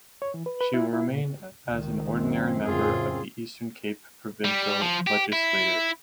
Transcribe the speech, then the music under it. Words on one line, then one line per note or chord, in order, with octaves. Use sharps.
She will remain as an ordinary member of the Eastern Cape provincial legislature.
C#5
E3
B4
B4
E4
E4
A#2
C#2 D#3
F#2 C4
F2 A2 C#3 F4 G#4
G3
F3
G4
E4